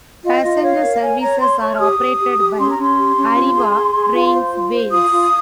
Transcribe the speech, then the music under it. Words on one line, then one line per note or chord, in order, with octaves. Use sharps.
Passenger services are operated by Arriva Trains Wales.
F4 D#5
F4
C#5 F5
A#4
C#5 G#5
C#5 A#5
C#5 C6
C#5 C#6
F6
G4 D#6
G4
G4
G4
C#4 C6
A#5
C#4
C6
G4
C#4
F4
G#4
G#4
G#4
F4
C5
F4
C5
F4 D#6
F4